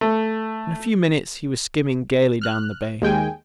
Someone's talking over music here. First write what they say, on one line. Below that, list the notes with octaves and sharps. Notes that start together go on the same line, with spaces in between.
In a few minutes he was skimming gaily down the bay.
A3
F6 F#6
D#2 G#3 G5 G#5